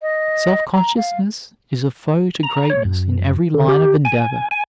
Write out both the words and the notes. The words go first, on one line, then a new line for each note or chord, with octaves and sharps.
Self-consciousness is a foe to greatness in every line of endeavor.
D#5
A#5
F5
A#5
C#5
F#2
D3
G4
G#5
G#5